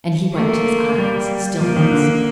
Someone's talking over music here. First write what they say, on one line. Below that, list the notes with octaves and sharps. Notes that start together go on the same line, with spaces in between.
And he wiped his eyes, still moist.
A3 A#3
G3
F3 A#3
D#3
D3